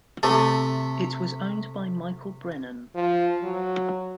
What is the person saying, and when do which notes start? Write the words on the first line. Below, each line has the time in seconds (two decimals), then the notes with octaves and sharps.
It was owned by Michael Brennan.
0.23 C3 A3
2.95 F3
3.44 F#3